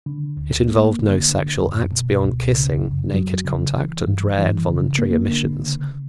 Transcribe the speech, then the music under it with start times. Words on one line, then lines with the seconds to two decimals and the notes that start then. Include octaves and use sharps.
It involved no sexual acts beyond kissing, naked contact, and rare involuntary emissions.
0.06 D3
0.37 D2
0.68 A#3
0.99 D3
1.29 D3
1.61 F#2
1.92 B2
2.22 C#2
2.53 C#3
2.83 F#2
3.14 F#3
3.45 C#3
3.76 E3
4.07 G2
4.38 E3
4.68 C#3
4.99 A#3
5.29 D3
5.60 C#3